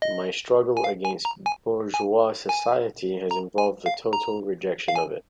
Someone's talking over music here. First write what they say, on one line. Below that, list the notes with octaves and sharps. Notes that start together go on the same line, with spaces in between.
My struggle against bourgeois society has involved the total rejection of it.
D#5
G#5
F5
G#5
A#5
G#5
G#5
G#5
A#5
G#5
F5
A#5
F5
G#5